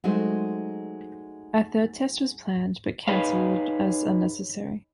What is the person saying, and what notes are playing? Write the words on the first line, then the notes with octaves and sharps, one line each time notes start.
A third test was planned, but canceled as unnecessary.
F#3 G#3 A3 D#4 C5
D#4 G#4 B4 C#5 F5